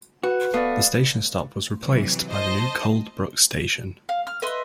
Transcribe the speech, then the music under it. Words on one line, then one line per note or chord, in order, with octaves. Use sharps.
The station stop was replaced by the new Cold Brook Station.
F#4 B4
A3 B3 D5 F5
C3 E3 F#3
C5 D#5 A5
F5
F6
B4 D#5 E5 C6